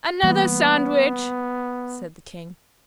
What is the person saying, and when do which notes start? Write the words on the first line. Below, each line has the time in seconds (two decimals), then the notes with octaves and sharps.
'Another sandwich!' said the King.
0.23 E3 G3 A#3 B3